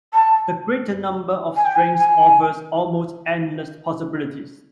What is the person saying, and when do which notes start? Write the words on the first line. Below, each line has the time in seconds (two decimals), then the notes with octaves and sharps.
The greater number of strings offers almost endless possibilities.
0.14 A5
1.56 G#5
1.65 G5
1.75 G#5
1.97 G#5